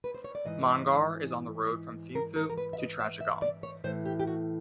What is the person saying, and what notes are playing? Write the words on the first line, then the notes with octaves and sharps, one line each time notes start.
Mongar is on the road from Thimphu to Trashigang.
B4
C5
C#5
D5
G#2 E3 D#5
A#4
A#4
A#4
B4
E5
D#5
E5
E5
D5
C#5
A2 E3 C5
G4
G4
F#4